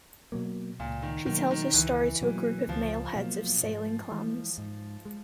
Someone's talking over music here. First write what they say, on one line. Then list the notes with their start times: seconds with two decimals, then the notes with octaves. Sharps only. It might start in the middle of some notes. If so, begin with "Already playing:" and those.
She tells her story to a group of male heads of sailing clans.
0.32 B2 F#3 A#3
0.80 C#2 A#2
1.02 D#3
1.26 B2 D#3 F#3 A#3
1.51 D#3
1.74 C#2 E3
2.21 B2 F#3 A#3
2.68 C#2 F3
3.16 B2 F#3 A#3
3.64 G#2
4.11 E3 G#3
4.58 G#2
5.05 G#3